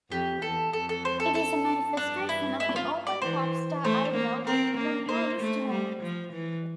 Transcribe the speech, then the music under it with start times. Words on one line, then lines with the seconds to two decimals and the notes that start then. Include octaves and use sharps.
It is a manifestation of the "open pop star" idea within the Neoist movement.
0.11 F2 G4
0.42 E2 A4
0.73 F2 A4
0.89 A4
1.05 C5
1.20 A4
1.35 A4
1.97 G2 D4
2.29 E4
2.60 E4
2.76 F4
3.07 D5
3.22 E3 C5
3.84 A3 C5
4.15 A#3
4.46 C4 A#4
4.78 A#3
5.09 A#3 C5
5.40 A3
5.71 G3
6.02 F3
6.33 E3